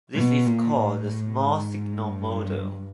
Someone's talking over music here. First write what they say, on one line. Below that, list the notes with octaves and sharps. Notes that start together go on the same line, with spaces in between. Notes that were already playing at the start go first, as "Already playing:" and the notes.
This is called the "small-signal model".
B2
A#2
A2
G#2
G2